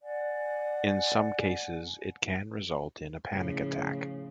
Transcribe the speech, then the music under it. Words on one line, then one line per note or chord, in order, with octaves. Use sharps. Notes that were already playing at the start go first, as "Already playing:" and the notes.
In some cases, it can result in a panic attack.
D5 F#5 G#5
A2 C#3 F3